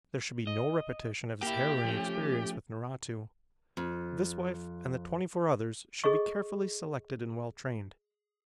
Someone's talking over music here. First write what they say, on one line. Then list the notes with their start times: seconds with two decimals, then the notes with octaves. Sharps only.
There should be no repetition of his harrowing experience with Naratu. This wife and the twenty-four others should be carefully selected and well trained.
0.47 D#5
1.42 A#3 E4 G4
1.84 F3 A3 C#4
3.77 F2
6.04 G#4 A4 D#5 C#6